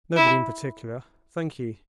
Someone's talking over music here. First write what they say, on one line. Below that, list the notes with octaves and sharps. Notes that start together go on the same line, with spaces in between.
"Nobody in particular, thank ye."
E4